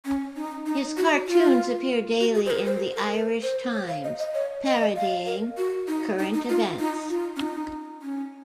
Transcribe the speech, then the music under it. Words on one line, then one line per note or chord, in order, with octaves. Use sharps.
His cartoons appear daily in "The Irish Times" parodying current events.
C#4
D#4
D#4
F#4
F4
F#4
G#4
C5
A#4
C5
A#4
A#4
C5
C#5
F5
D#5
D#5
C#5
D#5
D#5
F5
A#4
F#4
D#4
D#4
D#4
F4
D#4
F4
C#4
D#4
C#4